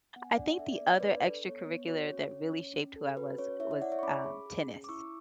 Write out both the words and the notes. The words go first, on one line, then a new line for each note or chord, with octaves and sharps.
I think the other extracurricular that really shaped who I was, was, um, tennis.
B3 F#5
G#5
D4 D5 F#5
A4 E5
D5
B3
C#5
D4 B4 D5
A4
B3 C#5
B3
F#4 C#5
C#4
C#4
C#4
C#4
A4
F#4 B4
C#4 C#5
E4 C#5 E5
C#5 E5
E4 D5 F#5
C#5 E5
C#6
C#4 B5 D6
G#4
G#4
C#4
D6
E4 C#6 E6